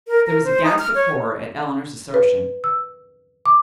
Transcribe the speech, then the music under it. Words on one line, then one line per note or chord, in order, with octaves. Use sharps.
There was a gasp of horror at Eleanor's assertion.
A#4
A#4
C5
D#4
F6
C#5
B4
E6
D6